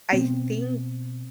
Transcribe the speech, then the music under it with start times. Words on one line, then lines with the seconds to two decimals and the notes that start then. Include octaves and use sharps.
I think
0.13 B2 B3 C4